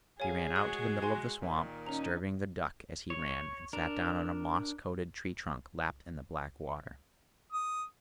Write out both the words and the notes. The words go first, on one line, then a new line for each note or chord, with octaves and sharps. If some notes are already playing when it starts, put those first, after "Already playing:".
He ran out to the middle of the swamp, disturbing the duck as he ran, and sat down on a moss-coated tree-trunk lapped in the black water.
F#2 G#4 C#5 F5 G#5
G#3 F#4 D#6
G#5 C6
A#2 D#3
C#4 D#4 A#5
C#5
D4 A#4
D#6